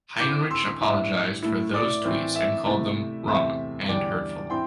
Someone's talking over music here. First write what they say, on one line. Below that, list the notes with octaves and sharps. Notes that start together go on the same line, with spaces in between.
Heinrich apologized for those Tweets and called them "wrong and hurtful".
D3 C4 E4 D6 G6
C6 E6
A2 G3 D4 E5
A2 A3 E4
D5
A2 E3 A3 C4 E4
E5
C3 A3 E4
E2 C3 A3 C4 E5
E2 D3 G3 D4 D5 G5
E3 C4 E4 G5 C6